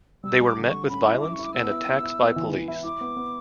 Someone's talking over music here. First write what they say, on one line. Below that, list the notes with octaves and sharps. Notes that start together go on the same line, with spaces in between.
They were met with violence and attacks by police.
G3 E6
G3
D6
D3
G3 C#6
C#4 B5
E4
E4 D6
E4 C#6
D6
B3 E6
E4
B3
E4
B3
E3
E3
E4
E4 D6
B3
B3